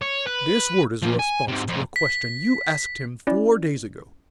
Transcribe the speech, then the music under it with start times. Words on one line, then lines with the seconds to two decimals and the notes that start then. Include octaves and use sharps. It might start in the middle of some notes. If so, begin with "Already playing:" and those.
This word is a response to a question you asked him four days ago.
0.02 C#5
0.27 B4
1.02 A#2 F3
1.19 G#5
1.48 G#2 C3
1.68 F2 A2
1.96 B6
3.27 C#4 E4 D5